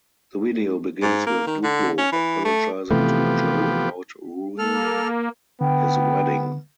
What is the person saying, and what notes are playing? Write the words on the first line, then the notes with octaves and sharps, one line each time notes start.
The video begins with Diplo apologizing to Joe about "ruining" his wedding.
G#2
A#3
D#3
D3
C#4
E3
A3
C3 E3 F3 A3 B3 G4
A#3 A4 F6
D3 B3 G5